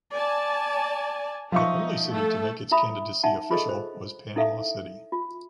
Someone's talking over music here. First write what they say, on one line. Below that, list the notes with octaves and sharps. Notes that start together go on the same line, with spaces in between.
The only city to make its candidacy official was Panama City.
D5 G#5 A5
F3 D#4 E5 C#6
A3 A4
E4 E5 A#5 B5 D#6
D#4 E5 F#5 G#5 A5
F4 G#4 A4 D#5
C5
D#4 E4 A4 E5 F5
F4